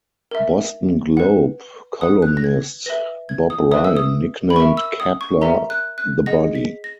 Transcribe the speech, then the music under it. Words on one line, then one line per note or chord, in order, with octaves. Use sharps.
Boston Globe columnist Bob Ryan nicknamed Kapler The Body.
A#4 E5
B4 F#5
B4 F#5 D#6
F#6
A#6
G#6
B4 E5 A#6
G#6
D#6
B4 E5 D#6
E6
D#6
B5
A#4 E5 C#6
E6
D#6
C#6
A#4 E5 A#5
F#6
F#6
G#4 D#5 F#5 A#6
B6
A#6